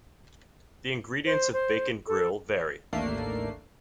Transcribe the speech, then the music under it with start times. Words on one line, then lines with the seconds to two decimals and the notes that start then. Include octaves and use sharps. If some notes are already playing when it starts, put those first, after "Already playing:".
The ingredients of Bacon Grill vary.
1.26 C5
1.53 C5
2.07 A4
2.93 A1 D#2 A3 A#3 D4 C7